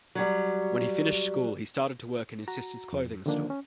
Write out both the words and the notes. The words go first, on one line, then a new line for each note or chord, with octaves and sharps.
When he finished school he started to work in his sisters' clothing store.
F#3 G3
F#4 A#5
F2
D3 D#3 F3 A#3 D4
C#4